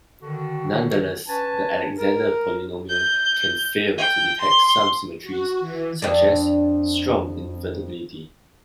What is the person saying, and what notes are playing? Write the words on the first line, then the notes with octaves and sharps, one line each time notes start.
Nonetheless, the Alexander polynomial can fail to detect some symmetries, such as strong invertibility.
D3 D#3 F#4
C#4 B4 G#5 A5
A#4
G6
G5
C6
F#4
E3
F2 D4